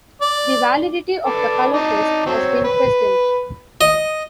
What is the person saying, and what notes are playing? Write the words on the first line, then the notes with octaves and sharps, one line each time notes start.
The validity of the color test has been questioned.
D5
A4 B4 D5
D#4 D5 A5
F#3 C4 C#5
B4
D#5